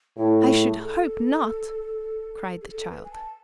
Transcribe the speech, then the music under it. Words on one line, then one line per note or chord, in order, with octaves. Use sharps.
"I should hope not," cried the child.
A2 E4
F4
G#4
A4
G#4
A4
B4
G#5
A5